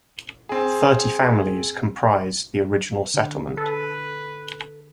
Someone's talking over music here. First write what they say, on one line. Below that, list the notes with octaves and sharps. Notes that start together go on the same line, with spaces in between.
Thirty families comprised the original settlement.
C4 G#4
D3
A4 B4